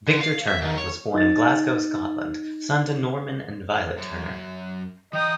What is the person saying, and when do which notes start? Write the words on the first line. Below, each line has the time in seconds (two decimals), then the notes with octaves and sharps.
Victor Turner was born in Glasgow, Scotland, son to Norman and Violet Turner.
0.07 D3
0.21 F5
0.48 E5
0.62 D#3
0.78 C#5
1.14 D#4 A6
3.98 F#2
5.13 E3 D#5 G5 A#5 D#6